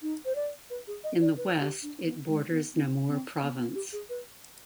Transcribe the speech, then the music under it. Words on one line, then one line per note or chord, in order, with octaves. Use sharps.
In the west it borders Namur Province.
D#4
C5
D5
B4
G#4
D#5
D5
B4
G4
D4
B3
G#3
B3
C4
C4
B3
B3
G4
G#4
B4